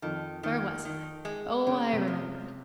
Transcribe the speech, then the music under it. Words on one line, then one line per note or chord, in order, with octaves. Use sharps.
Where was I? Oh, I remember!
F2 D#3 F3
D#3
D#3
G#3
A#2 C#3 C#4
C3 C4
F3